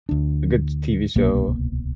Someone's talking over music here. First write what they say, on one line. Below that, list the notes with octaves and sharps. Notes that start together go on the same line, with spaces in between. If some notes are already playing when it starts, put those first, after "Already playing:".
a good TV show,
D2 D4
D1 C2 B2 A#3